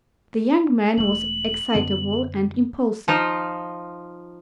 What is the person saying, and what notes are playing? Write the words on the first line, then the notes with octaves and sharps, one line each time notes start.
The young man was excitable and impulsive.
E1 A3 F#7
F#2 D3 B3
F3 D#4 F4